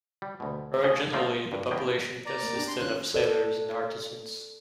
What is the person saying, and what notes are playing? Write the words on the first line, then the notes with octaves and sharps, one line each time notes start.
Originally, the population consisted of sailors and artisans.
G3
D2 B2
D#2 C#3 F#4 G#4 D#5
A3 A#3 D#4 F4 G4
G2
E2 A#3 B3 G5
D5 A#5
A#3
D4 G4
C6
D#3 C#4 F4 F#6
A4 D5